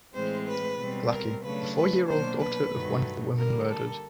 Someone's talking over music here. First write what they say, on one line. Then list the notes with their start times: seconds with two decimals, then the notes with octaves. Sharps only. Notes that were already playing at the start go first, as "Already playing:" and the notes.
Glaki- The four-year-old daughter of one of the women murdered.
0.13 A2 E3 G#3 C4 C5
0.45 B4
0.78 B2 G3 C4
1.10 A#4
1.43 C#3 F#3 A3 D4 B4
1.75 B4
2.07 B2 F#3 A#3 D4 C5
2.39 B4
2.72 G2 D#3 F#3 A3
3.36 D3 G3 A#3 A#4
3.69 A4